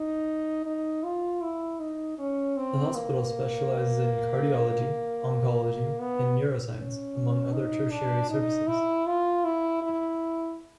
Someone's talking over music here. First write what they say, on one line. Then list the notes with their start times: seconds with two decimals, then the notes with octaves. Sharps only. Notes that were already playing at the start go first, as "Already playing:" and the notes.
The hospital specialises in cardiology, oncology, and neuroscience, among other tertiary services.
Already playing: D#4
0.66 D#4
1.03 F4
1.42 E4
1.80 D#4
2.18 C#4
2.57 C4
2.95 A#3
6.00 B3
6.76 C#4
7.52 D#4
7.91 D4
8.30 D#4
8.67 E4
9.06 F4
9.44 E4
9.82 E4